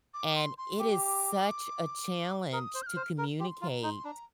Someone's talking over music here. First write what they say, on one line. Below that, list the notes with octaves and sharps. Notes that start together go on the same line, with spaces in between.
and it is such a challenge to communicate
D6
C6
C6
G4 D6
A#4 D#6
C5
G6
F6
C5
A#4
G4 C6
F4 A#5
D#4 C6
D4 A#5